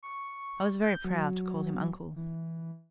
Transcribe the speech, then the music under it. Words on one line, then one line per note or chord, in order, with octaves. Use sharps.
I was very proud to call him uncle.
C#6
G6
F#3
E3